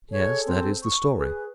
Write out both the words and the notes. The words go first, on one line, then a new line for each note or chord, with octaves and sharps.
"Yes, that is the story."
G#4 A4 C#5
C4
C#6
G#4 B4